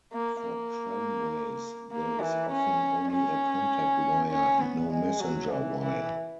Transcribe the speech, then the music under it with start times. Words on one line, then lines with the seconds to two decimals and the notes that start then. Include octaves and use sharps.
For tramways there is often only a contact wire and no messenger wire.
0.12 A#3
0.42 A#3
1.92 A#3
2.22 E3
2.52 C#4
3.11 C#4
4.31 C#4
4.60 B3
4.91 G#3
5.20 F#3
5.50 E3
5.80 E3